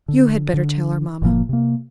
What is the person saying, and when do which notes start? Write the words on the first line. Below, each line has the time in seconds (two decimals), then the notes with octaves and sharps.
"You had better tell her, mamma."
0.08 D3
0.53 D3
1.22 G1 A#2 F3 A#3
1.49 C3 A#3